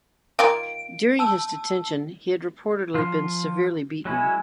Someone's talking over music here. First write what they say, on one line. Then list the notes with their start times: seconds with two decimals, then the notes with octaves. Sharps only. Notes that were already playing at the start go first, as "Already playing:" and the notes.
During his detention, he had reportedly been severely beaten.
0.39 D#3 A#3 F4 D7
1.19 A5 E6
2.95 F3 F4
4.05 F#3 G#3 C#4 E4